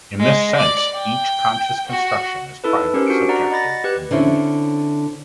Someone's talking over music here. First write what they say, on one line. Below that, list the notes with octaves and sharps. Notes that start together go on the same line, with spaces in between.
In this sense, each conscious construction is private, subjective, and unique.
G#3
D5
G5
F#4
D#4 E4 A4 B4
C#4 G4 A#4 C5
D4 F#4 F6 C#7 D7
D5 F#5 A#5
D#5 F#5 B5 A6 A#6
G4 B4 F#6
D3 C4 C#4 E4